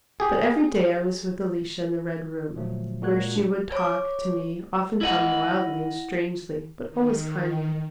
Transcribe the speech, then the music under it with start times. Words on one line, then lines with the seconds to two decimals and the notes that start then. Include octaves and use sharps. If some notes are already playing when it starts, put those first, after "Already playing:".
But every day I was with Alicia in the Red Room, where she would talk to me, oftentimes wildly and strangely, but always kindly.
0.20 G4 G#4
2.55 A#2 D3 F3 F#3 A3
3.02 A#2 G#3 F#4 A#4 F#6 G#6
3.35 D4
3.72 C#5 D6
5.01 E4 D#5 F#5
6.89 D#3